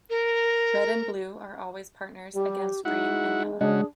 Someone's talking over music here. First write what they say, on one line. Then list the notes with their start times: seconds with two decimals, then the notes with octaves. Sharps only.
Red and blue are always partners against green and yellow.
0.10 A#4
2.35 G3 G4
2.85 G#3 D#4 E4 F#4 F#5
3.61 C#3 G#3 D4 F#4 G#4